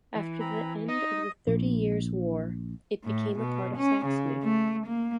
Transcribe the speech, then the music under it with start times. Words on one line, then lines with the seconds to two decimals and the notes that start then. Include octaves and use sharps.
After the end of the Thirty Years' War it became a part of Saxony.
0.15 E3
0.40 C4 A#5 B5
0.88 D#4 D#5 D#6
1.47 A#1
3.04 A2
3.39 B2
3.77 C#4
4.06 C#3
4.43 A3
4.87 A#3